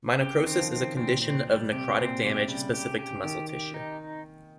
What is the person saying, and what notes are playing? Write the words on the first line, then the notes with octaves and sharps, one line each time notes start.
Myonecrosis is a condition of necrotic damage, specific to muscle tissue.
C#3 G4
D#3
C4
F3
C4
A#2 C4
C4
G3
C3 G4
A#2 C4
C3 G4
C#3 G3
G4
G4
D#3 G4
G4
D#4